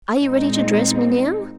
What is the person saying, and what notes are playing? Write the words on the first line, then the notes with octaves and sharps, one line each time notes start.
"Are you ready to dress me now?"
A#2 G#3 C4 D#4